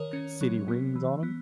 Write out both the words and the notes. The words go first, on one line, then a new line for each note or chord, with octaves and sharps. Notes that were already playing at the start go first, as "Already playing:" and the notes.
See any rings on him?
Already playing: D#3 A#4 C#5
C#4
F#3
B3
E3
B3